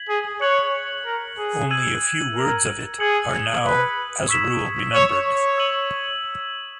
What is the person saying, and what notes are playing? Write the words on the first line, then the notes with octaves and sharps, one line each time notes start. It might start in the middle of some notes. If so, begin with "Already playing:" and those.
Only a few words of it are now, as a rule, remembered.
Already playing: G#6 B6 F#7
G#4
C#5 F#6 C#7 F#7
A#4
G#4
E6 G#6 D#7 F#7
A#4
G#4 D#6 G#6 C#7 F#7
B4
C#6 E6 G#6 B6 E7
C#5
C#5
E6 G#6 D#7 F#7